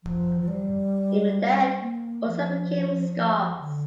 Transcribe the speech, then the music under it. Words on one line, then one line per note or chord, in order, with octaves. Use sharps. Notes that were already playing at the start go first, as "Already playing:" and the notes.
Even that also became scarce.
F3
F3
G3
A#3
F3
D3